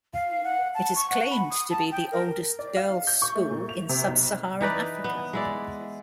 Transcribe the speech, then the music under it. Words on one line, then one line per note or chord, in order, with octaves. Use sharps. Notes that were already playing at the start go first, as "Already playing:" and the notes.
It is claimed to be the oldest girls school in Sub-Saharan Africa.
F5
F#5
A5
C#6
F#5
B5
D#6
A5
G5
A#4
D5
F5
G6
C#6
A3
A#2
F7
C3
B1
E3 D#4 B4 D5
B3
G#3 E4 D5